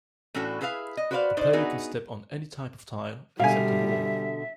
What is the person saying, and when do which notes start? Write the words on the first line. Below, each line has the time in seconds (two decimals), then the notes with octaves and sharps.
The player can step on any type of tile except a wall.
0.34 A2 E3 C#4 D4 F#4 A4
0.61 E4 G#4 B4 E5 F5
0.97 D#5
1.11 F#4 B4 C5 D5 E5 F5
1.37 D4 D#4 C5 D5
1.53 B3 D#4 F#4 G#4 E5
3.40 B2 D3 G3 E5 F5 G#5